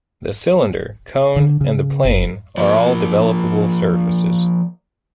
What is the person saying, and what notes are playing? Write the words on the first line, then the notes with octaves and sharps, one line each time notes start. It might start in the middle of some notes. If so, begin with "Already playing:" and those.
The cylinder, cone and the plane are all developable surfaces.
D3
C#3
F#1
F3 A#3